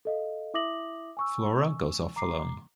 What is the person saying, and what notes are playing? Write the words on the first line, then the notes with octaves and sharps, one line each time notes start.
Flora goes off alone.
A4 D#5 F5
E4 E5 D6 D#6 A#6 F#7
G#5 C#6 E6
A#5 D6 C7